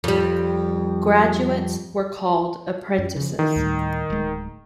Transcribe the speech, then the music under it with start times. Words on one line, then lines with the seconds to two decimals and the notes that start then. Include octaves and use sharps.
Graduates were called 'apprentices'.
0.04 F2 G3
2.98 F#2
3.16 C#3 F3
3.39 D#3 E3
3.56 D2 A2 G3
4.10 D1 G#3